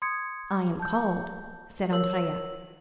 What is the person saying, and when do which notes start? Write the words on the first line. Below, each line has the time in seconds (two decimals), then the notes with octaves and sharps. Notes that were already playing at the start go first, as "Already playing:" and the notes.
"I am called," said Andrea.
0.02 C6 D#6 G#6 C#7
0.80 A5 G6
1.91 A#4 C#5 E6 F#7